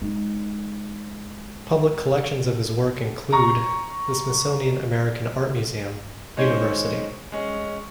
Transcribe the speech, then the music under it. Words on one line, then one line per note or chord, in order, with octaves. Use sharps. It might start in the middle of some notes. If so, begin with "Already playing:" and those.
Public collections of his work include: The Smithsonian American Art Museum, Univ.
G#3 D#4
A#5 C#6
D#3 G#3 C#4 C5 C#5
G#3 C#4